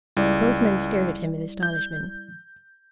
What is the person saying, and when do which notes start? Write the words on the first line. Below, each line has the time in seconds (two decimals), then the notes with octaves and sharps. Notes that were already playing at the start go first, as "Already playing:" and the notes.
Both men stared at him in astonishment.
0.17 C#2 G3 E4 D5
1.63 G6